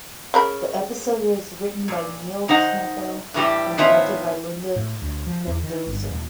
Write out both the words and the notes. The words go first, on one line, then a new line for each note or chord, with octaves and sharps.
The episode was written by Neil Campbell and directed by Linda Mendoza.
C#3 A#4 B5
A#2
D#3 D#4 C5 F#5
A2 E3 G3 G4
A2 D#3 B3 C#4 F4 E5
A2
D2
F3
E2
D#3
G1
D#1